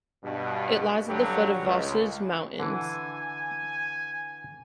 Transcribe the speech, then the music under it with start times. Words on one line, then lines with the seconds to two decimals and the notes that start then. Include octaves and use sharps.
It lies at the foot of the Vosges Mountains.
0.24 G2 B2
1.09 G2 D3 F#3 G3 G4
1.62 C#2
2.60 D3 E3 G#5